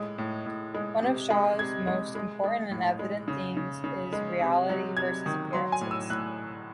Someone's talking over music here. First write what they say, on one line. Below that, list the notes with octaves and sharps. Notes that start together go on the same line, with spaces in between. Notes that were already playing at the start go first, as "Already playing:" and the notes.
One of Shaw's most important and evident themes is reality versus appearances.
Already playing: A2 G#3
A2
A2
G#3
C3
G#3
C3 G#6
G#3
G#3
G#3
A2
G#3
C#3
C#3
C#3
G#3
C3
F#3
C3 G#6
D#3
F#3 C6
G#5
A2
E6
A2 F#6